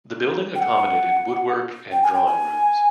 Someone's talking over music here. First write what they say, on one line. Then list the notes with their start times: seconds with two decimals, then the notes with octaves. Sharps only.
The building accommodated woodwork and drawing rooms.
0.55 G5
0.59 F#5
1.92 G5
2.03 G#5
2.14 G5
2.26 G#5